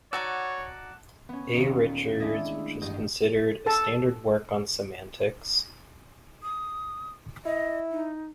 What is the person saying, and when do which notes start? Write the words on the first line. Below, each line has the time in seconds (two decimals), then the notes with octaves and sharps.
A. Richards, which was considered a standard work on semantics.
0.13 D#4 F#4 C#5 D5 F#5 A5 E6
1.29 B3 C#4
1.54 D#1 D#4
2.20 G#3 A3 D4 E4 A4 D#5
2.81 A1 G2 D#5 G6
3.66 A4 A5
6.43 D#6
7.45 E4 D#5
7.91 D#4